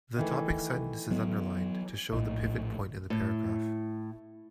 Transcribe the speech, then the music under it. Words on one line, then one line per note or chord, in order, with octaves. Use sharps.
The topic sentence is underlined, to show the pivot point in the paragraph.
D#3 E3 A3
F#3 B3
A#1 A2 D#4
A2